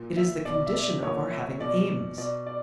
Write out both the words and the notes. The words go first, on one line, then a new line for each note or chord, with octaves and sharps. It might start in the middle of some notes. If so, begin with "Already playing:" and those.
It is the condition of our having aims.
Already playing: A#2
E5
B2 D5
E5
D5
A#2 C#5
E5
B2 D5
B2 D5
D5